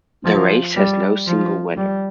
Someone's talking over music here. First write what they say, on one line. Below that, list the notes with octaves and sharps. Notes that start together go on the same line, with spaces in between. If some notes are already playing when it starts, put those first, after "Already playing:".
The race has no single winner.
F3
G3
F3
G3